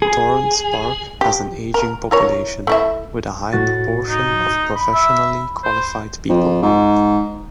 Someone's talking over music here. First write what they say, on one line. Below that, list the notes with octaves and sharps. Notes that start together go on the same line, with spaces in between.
Torrens Park has an ageing population, with a high proportion of professionally qualified people.
G#4
G4
A#4
E4 A#4 C#5
A3 E4 E5
A2 F#4 A6
D#4
B5
E5
C5
F2
G#2